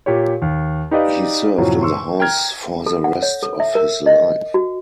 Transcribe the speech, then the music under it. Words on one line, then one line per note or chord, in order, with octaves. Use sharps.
He served in the House for the rest of his life.
A#2 G4 C#5
D#2
D#4 G4 B4 D5 D#5 F5
F#2 A2 C3 F3 F#3
C6 C#6 E6
G5 A#5 F6 G#6
A4
F#5
C#5
A4
E5
A#4
D#5
F#4